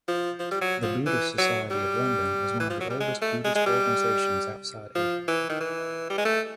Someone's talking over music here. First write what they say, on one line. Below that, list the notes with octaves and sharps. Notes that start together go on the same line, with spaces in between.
The Buddhist Society of London is one of the oldest Buddhist organisations outside Asia.
F3
F3
G3
F#3
F3
E3
F#3
G3
E3
F3
F#3
G3
G#3
A3
G#3
G#3
G3
F3
E3
D#3
E3
G3
G#3
A3